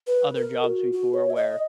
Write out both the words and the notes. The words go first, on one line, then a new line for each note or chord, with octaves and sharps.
other jobs before where
B4
A#4
F#4
F#4
C#5
E5
D#5